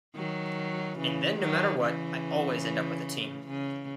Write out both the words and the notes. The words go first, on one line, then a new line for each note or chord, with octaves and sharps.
And then no matter what, I always end up with a team.
D#3 F#3
C#3 E3
D#3 F#3
C#3 E3
C#3